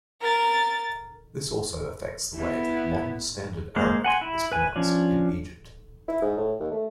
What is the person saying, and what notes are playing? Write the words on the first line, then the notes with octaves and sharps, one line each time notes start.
This also affects the way that Modern Standard Arabic is pronounced in Egypt.
A#4 A6
B3 E4
G#3 A#3 C5
F#5 G#5 C6
E4
B4 G#5
F3 C#4 D4
E4
G#2
A2
D#2
A3